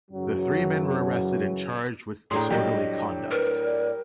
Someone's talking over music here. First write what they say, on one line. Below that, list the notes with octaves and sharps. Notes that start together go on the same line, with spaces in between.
The three men were arrested and charged with disorderly conduct.
F#2 C#3 E3 F#3
A2 D4 G#4 G5 A#5 C6
F#3 G3 G4 D#5
A#4 B4
D5